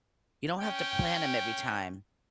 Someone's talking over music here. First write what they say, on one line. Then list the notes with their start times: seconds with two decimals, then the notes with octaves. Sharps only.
you don't have to plant 'em every time.
0.59 C#4 G5